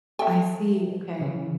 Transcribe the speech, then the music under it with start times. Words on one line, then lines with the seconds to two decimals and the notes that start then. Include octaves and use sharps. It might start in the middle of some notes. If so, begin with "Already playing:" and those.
I see, okay.
0.19 A4 E5 G5
1.20 C#3 E3